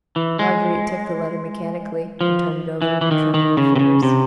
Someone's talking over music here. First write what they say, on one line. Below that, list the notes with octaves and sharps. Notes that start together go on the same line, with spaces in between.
Marguerite took the letter mechanically, and turned it over in her trembling fingers.
E3
G#3
F3
E3
E3
D#3
D#3
C#3
C3
C#3
C3